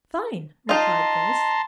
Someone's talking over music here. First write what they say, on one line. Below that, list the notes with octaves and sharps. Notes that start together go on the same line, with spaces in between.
"Fine," replied Grace.
D#4 F4 A5 A#5 C6